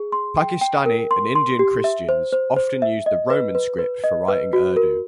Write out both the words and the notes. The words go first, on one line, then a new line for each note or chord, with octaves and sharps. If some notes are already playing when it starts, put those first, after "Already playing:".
Pakistani and Indian Christians often used the Roman script for writing Urdu.
Already playing: G#4
C6
G5
G5
A#4
C6
C6
G4
E5
C5
C5
C5
E5
D#5
B4
B4
B4
D#5
B4
F#4
A#4